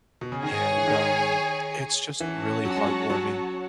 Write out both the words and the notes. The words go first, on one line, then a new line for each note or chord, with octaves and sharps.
And, um, it's just really heartwarming
B2
C#3
D#3 G#4 C#5 G#5
E3
D#3
E3 C#4 F#4 C#5 F#5 A5
F#3
G#3
F#3
F#3